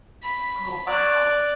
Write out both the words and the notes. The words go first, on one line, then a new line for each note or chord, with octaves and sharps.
Oh, wow.
B5
D5 F#6